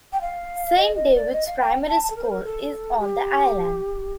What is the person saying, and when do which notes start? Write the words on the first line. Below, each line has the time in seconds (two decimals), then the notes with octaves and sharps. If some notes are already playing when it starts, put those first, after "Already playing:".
Saint David's Primary School is on the island.
0.13 G5
0.21 F5
0.77 D#5
0.96 D#5
1.15 D5
1.33 D#5
1.47 F5
1.60 G5
1.88 A5
2.02 A5
2.10 A4
2.16 A#4
2.24 C5
2.30 A#4
2.44 A4
2.99 G4